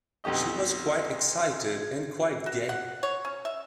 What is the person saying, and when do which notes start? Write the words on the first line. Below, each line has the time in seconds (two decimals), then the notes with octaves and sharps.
She was quite excited, and quite gay.
0.24 B1 F2 D3 G4 D#5
2.46 F#4
2.69 F#5
3.03 C#5
3.25 C#4
3.45 E5